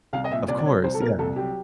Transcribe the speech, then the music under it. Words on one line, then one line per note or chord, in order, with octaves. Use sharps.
Of course, yeah.
C2 F5
D#5
A#2 E5
C2 D5
D5
F#3 C#5
C2 C5
A4
A#2 A#4
C2 A4
F#3 G4